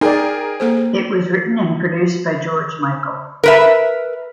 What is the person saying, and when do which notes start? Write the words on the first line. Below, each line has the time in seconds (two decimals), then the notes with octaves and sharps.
It was written and produced by George Michael.
0.01 D#4 G#4 A#4 D5 G5
0.60 A#3 A4 C5
3.44 A#4 B4 E5